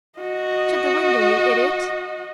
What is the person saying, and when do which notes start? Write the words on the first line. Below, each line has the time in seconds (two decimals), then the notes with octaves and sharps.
Shut the window, you idiot!
0.19 F#4 D#5